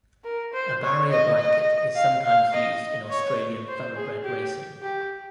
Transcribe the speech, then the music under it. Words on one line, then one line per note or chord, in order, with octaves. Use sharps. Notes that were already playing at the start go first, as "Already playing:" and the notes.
A "barrier blanket" is sometimes used in Australian Thoroughbred racing.
A#4
C5
C#5
D#5
D#5
F5
F5
D#5
C#5
C5
G#4
G4
G4